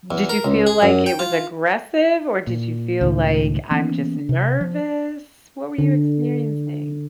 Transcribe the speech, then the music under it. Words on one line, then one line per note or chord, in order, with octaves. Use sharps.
Did you feel like it was aggressive or did you feel like I'm just nervous? What were you experiencing?
E2
A#4
C#2
G#4
F#2
G5
F4
A#2
C#2 A2 D#3
E3 A#3 B3 C#4
C3
F3
D3